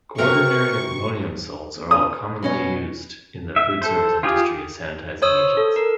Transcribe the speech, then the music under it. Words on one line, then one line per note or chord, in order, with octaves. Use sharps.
Quaternary ammonium salts are commonly used in the foodservice industry as sanitizing agents.
C3 F#4 A#4 B4 E5 C#6
D#6
B2 C#4 D#5
E5
A4 C5
F4 G4 G#4
C5 C#5 D#6 E6
A4
A#4